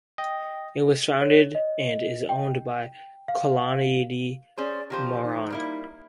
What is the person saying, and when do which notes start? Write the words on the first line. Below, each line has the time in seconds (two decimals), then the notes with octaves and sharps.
It was founded and is owned by Kalanidhi Maran.
0.18 D#5 G5
1.21 C#5
1.55 D#5
2.29 G5
3.28 F5
4.58 C#4 G#4 C5 D5
4.90 D#3 F3 G4 C5
5.23 D#4
5.50 G3 A#3 E4